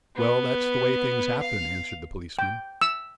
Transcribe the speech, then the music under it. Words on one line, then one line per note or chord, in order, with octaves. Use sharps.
"Well, that's the way things happen," answered the policeman.
B3
F5
G5
E6